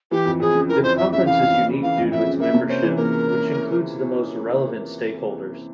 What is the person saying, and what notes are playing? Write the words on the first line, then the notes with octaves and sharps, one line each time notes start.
The Conference is unique due to its membership, which includes the most relevant stakeholders.
E3 G4
F2
F2 G#4
C#3
E3 A#4
F2 C5
F2 E5
C#3 E5
E3 F5
F2
F2
C#3
E3 F5
F2
F2 E5
C#3
A#3 E5
C3
C#4 C5
E3
A#3 A#4